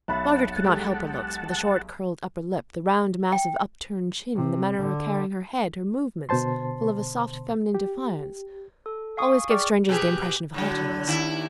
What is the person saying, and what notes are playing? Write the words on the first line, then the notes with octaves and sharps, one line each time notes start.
Margaret could not help her looks; but the short curled upper lip, the round, massive up-turned chin, the manner of carrying her head, her movements, full of a soft feminine defiance, always gave strangers the impression of haughtiness.
B1 E5 F#5 A5 B5
G#3 G4 A4
G5
C3
D3
B2 D3 C5 A5 C6
G4
A4
F5 G#5 C#6 D#6
G#4 D5 G5 C#6 D6 F6
B2 G4 G#4
A2 D3 F#3
D#2 E4